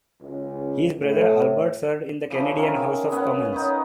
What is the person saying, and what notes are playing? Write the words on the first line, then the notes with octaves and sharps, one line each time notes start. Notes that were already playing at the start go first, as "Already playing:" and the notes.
His brother Albert served in the Canadian House of Commons.
C#2
A2
C#3 E3 F3
D#3 E4 A#4
G#4
B3 C#4 B4
B3 C#4 D#4